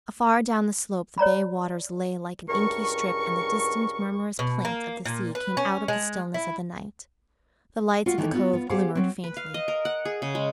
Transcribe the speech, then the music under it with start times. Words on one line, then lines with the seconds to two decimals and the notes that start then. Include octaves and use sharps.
Afar down the slope the bay waters lay like an inky strip and the distant, murmurous plaint of the sea came out of the stillness of the night; the lights at the Cove glimmered faintly.
1.18 C#5 D5 A#5 B5
2.49 C#2 G2 A#4 C#6
4.39 B2
4.65 A#3
5.05 A#2
5.35 B4
5.57 C#4
5.88 G#3
6.34 E4
8.06 F4 F#4 F#5
8.18 D#3 E3 A3 A#3
8.32 B3 F4 F#4
8.53 B3 F4
8.70 G4 G#4 C5 F5 F#5
8.95 F#3 C4
9.24 B4
9.37 F5
9.54 D#5
9.68 A#4
9.85 F#5
10.05 G#4
10.22 C#3
10.35 G#3